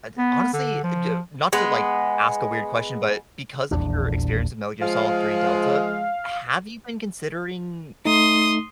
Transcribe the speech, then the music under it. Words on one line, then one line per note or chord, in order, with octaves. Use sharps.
Uh, d Honestly, uh, d not to, like, ask a weird question, but because of your experience in Metal Gear Solid Three Delta, have you been considering,
B3
D3
F3
G#3 B3
D#1 A#1 E2 D4
F3 G#3 F5
A3 D#4 C6 D#6